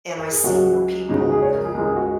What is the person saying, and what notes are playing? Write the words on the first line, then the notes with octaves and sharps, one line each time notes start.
and I see more people who
A#4
G#4
C#2 C#3 F#3 F#4
C#2 C#3 G#3 D#4
F#4
G#4
C#5
A#4
G#4
C#2 C#3 G#3 A#4
G#4
F#4